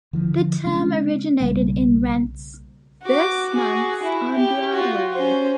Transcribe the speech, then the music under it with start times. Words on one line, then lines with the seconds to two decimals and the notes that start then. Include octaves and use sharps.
The term originated in "Rent"'s first months on Broadway.
0.13 D3 E3 F3
0.65 C#3 G#3 C#4 D4
1.40 B1 C#3 G3 A#3
3.03 F#4 D6
3.53 F#4 G#4
4.03 E4
4.36 G4
4.73 F4 F#4
5.13 C#4 C5